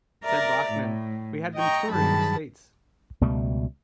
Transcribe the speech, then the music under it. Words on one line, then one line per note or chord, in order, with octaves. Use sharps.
Said Bachman: We had been touring the States.
A#4 D5 E5 A#5
A2
D#5 G5 A#5 C#6
G2 D#3 F#3 G#4 A5 B5
C#2 B2 G3 A3